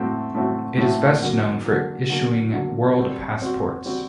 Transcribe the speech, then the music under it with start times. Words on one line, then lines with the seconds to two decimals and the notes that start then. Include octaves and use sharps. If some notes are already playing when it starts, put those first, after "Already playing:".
It is best known for issuing World Passports.
Already playing: A2 A3 C4 F#4
0.34 A2 A3 C4 F#4
0.77 A2 A3 C4 F#4
1.22 D3 F#3 A#3
1.65 D3 F#3 A#3
2.10 D3 F#3 A#3
2.53 D3 F#3 A#3
2.97 G3 C4 F#4
3.41 G3 C4 F#4
3.85 G3 C4 F#4